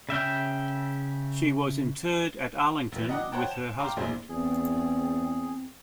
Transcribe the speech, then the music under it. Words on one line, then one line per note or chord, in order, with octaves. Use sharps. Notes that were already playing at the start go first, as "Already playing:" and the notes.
She was interred at Arlington with her husband.
C#3 E5 G5 F6
A#1 E3
D#5 F#5 D6
C5 C#5 F#5 G5 A5
E7
F5 G5 A#5 C6 D6
A#1 A#2 E4 G#4 C5
E2 C4 G#4